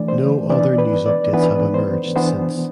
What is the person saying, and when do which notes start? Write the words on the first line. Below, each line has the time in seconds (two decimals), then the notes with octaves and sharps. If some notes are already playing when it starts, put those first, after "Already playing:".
No other news updates have emerged since.
Already playing: E3 A3 D4 D5
0.08 C5
0.49 E3 B3 D4 D5
0.78 B4
1.06 D5
1.33 E3 B3 D4 B4
1.74 C5
2.16 E3 B3 D4 C5